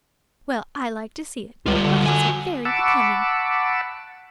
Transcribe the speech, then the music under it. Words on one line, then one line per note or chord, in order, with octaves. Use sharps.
Well, I like to see it; blushes are very becoming.
C#2 G3 F4
D3
F#4 G#5
F#5 A5 B5 C#6 D6 E6